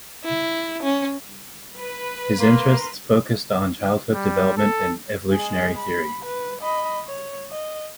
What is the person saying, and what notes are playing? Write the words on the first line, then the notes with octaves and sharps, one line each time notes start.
His interests focused on childhood development and evolutionary theory.
E4
C#4
B4
A#3 A#4 C6
G3
A4
G#3 G#4
B5
B4
D#5 B5
C#5
D#5